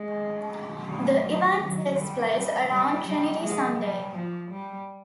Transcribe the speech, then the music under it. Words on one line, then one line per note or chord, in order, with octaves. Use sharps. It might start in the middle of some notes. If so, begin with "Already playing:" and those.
The event takes place around Trinity Sunday.
Already playing: G#3
G3
F#3
F#3
G3
G3
G3
G3
G#3
G3
F3
G3